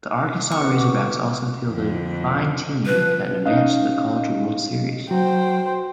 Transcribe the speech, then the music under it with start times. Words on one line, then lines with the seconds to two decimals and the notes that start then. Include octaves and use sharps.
The Arkansas Razorbacks also fielded fine teams that advanced to the College World Series.
0.15 D6
0.51 D2 B3 C#6
1.68 F2 D3
2.86 F3 B4
3.46 C#4 D#4 D#5 F5
5.11 F#3 F#4 C5 G5